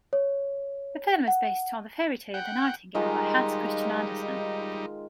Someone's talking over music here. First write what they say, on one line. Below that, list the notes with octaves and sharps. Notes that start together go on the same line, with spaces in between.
The film is based on the fairy tale "The Nightingale" by Hans Christian Andersen.
C#5
F#5
F#5 G5
D#3 G3 G#3 D#4 F4